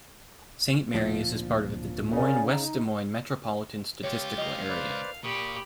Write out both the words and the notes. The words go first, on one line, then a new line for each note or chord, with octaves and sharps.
Saint Marys is part of the Des Moines-West Des Moines Metropolitan Statistical Area.
D1 A#2 F3
C#3 A#4 D5 G#5
D#4
C#2 F4 G4 C#5
A#4 D#5 F5
B4 C5 D5
A#2 G4 B5 C#6 D#6